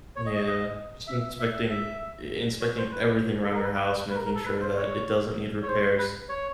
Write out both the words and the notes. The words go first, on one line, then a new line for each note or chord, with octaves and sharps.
Yeah, just inspecting i inspecting everything around your house, making sure that it doesn't need repairs,
C#5
D#5
D#5
D#5
E5
E5
E5
C#5
C5
B4
A4
A#4
B4
B4
B4
B4
A#4
A#4
A4
B4
C5
C#5
C#5
C5
B4
C#5